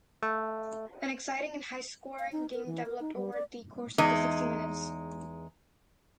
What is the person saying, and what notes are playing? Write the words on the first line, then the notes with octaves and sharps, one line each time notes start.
An exciting and high-scoring game developed over the course of the sixty minutes.
A3
F5
D#4
A#4
E3
A#4
D#4
G3
D5
E2 G#3 D#4